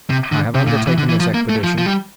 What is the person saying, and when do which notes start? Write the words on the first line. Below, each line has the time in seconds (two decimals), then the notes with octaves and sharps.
I have undertaken this expedition.
0.10 C3
0.32 D3
0.55 C3
0.67 A#2
0.76 A2
0.87 E3
0.98 D3
1.09 E3
1.20 F3
1.34 A#3
1.50 A3
1.64 F3
1.78 F3
1.86 G3